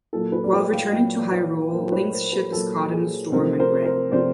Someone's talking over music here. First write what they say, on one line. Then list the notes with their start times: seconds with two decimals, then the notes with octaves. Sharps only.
While returning to Hyrule, Link's ship is caught in a storm and wrecked.
0.13 A#2 F#3 A#3 A4
0.32 A4 B4
0.44 D5
0.53 B4 C#5
0.72 F5 G5
0.92 A#2 F#3 A#3 F5 G5
1.32 B4 C#5
1.73 A#2 F#3 A#3 A#4 C5
1.92 B4 C#5
2.12 A#4 C5
2.32 A4 B4
2.52 A#2 F#3 A#3 A4
2.92 G#4
3.32 C3 F3 A3 A#4 C5
3.59 A#4 C5
3.85 A#4 C5
4.11 C3 F3 A3 C5 D5